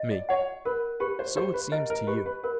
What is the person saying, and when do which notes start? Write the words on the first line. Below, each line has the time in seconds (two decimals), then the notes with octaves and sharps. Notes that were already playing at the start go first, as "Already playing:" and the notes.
ME: So it seems to you.
Already playing: D#5
0.11 D5
0.29 C#5 F#5
0.65 A#4 B4
1.00 G4 B4
1.19 C5
1.36 G4 C5
1.54 B4
1.72 A#4 D#5
1.90 A#4
2.07 G4 B4
2.26 B4
2.43 A#4 B4